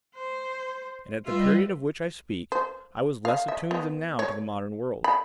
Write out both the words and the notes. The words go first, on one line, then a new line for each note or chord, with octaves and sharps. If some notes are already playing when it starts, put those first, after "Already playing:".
And at the period of which I speak, I was less attuned than now to the modern world.
C5
G3 F4 B4 D#5 E5
C5
F5
E5
B3
C#5
B5